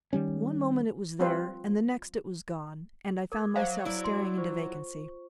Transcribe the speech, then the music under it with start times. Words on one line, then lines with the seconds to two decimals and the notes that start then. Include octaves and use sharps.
One moment it was there and the next it was gone, and I found myself staring into vacancy.
0.13 D#3 G3 C#4
1.19 F3 G3 C4 F4 B4 C5
3.32 A#4 D6 G#6
3.56 F#3 C5 E5 F5
3.85 E4 D5
4.04 C6
4.38 F4 C5 C#6